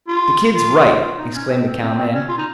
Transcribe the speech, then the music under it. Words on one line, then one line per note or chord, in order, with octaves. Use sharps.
"The kid's right," exclaimed a cowman.
F4
F4
F4
D#4
C#4
C4
C4
C4
C4
C#4
F4
D#4